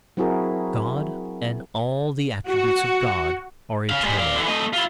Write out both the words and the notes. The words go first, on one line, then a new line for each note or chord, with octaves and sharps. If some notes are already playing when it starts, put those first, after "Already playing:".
God, and all the attributes of God, are eternal.
F#3 C4 E4 F#4 G#4 A#4
F#4
C#3 F5
G3 G#3
D5 F5
D3 E3
A3 D#5
E4 F4